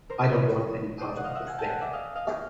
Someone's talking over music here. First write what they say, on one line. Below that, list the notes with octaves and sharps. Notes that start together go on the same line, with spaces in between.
I don't want any part of this thing.
A#4 C5
B4 C#5
C5 D5
F#5
D#5 F5
E5 F#5
F#5 G#5
G5 A5
F#5 G#5
D5 E5
D#5 F5
D#5 F5